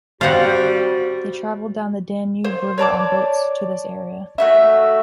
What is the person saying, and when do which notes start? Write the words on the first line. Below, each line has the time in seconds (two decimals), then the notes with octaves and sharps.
They traveled down the Danube River on boats to this area.
0.21 G3 C4 F#4 C5 F5 F#5
2.44 C5
2.78 C#5 D5 A5 D6
4.38 A3 F#4 E5